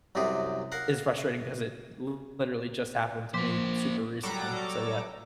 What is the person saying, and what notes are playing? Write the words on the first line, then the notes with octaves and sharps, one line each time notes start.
is frustrating 'cause it literally just happened to me super recently, so yeah.
C2 F#2 C3 G4 G#4
A#4 F5 F#5
F3 A#3 C5 D6 B6
F#3 G3 F#4 A4 A#5 D6